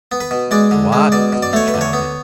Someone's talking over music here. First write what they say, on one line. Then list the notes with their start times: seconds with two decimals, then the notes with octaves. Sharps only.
"WHAT!" he shouted.
0.12 B3
0.21 B4
0.31 B2
0.51 G#3 D5
0.71 D3
0.92 G#3
1.12 B2 D5
1.33 B2
1.43 D5
1.53 A3 C#5
1.68 B4
1.74 D3
1.81 C#5
1.93 B3